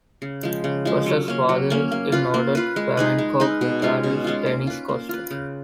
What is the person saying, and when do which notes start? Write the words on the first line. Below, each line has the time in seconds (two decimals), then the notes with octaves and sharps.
Koster's father is noted flamenco guitarist, Dennis Koster.
0.22 C#3
0.43 F3 G#3
0.64 C#3
0.85 F3 G#3
1.06 F#3
1.28 A#3 C#4
1.49 F#3
1.70 A#3 C#4
1.92 A#3
2.12 F4 B4
2.34 A#3
2.55 F4 B4
2.76 G#3
2.97 D#4 G#4 B4
3.18 G#3
3.40 D#4 G#4 B4
3.61 B2
3.82 G#3 C#4 F4
4.03 B2
4.24 G#3 C#4 F4
4.46 A#3
4.67 F4 B4
4.89 A#3
5.09 F4 B4
5.31 C#3